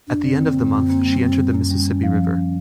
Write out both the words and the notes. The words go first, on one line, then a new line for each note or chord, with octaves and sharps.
At the end of the month, she entered the Mississippi River.
F#2 D4
D3
C4
A#3
F#2
F#2
A#3
G3
F#2
G3
F#2 C#4
G3
F#2
F3